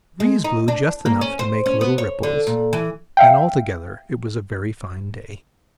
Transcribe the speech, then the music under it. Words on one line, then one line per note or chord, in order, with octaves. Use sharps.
The breeze blew just enough to make little ripples, and altogether it was a very fine day.
G#3
D#4
D4
A#3
C#4
C5
C#4
B3
C#5
D3
A#2
E3
E5 F5 G5